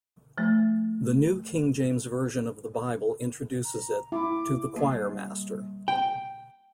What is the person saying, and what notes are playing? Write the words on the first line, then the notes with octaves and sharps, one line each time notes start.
The New King James Version of the Bible introduces it: To the choirmaster.
F3 A3
A#5
E4 D6
G3 A#3
G5